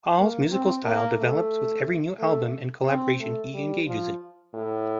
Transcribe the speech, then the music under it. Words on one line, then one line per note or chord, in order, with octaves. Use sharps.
Hall's musical style develops with every new album and collaboration he engages in.
A#3
C4
A#3
A3
A3
C4
A3
G3
F3
A2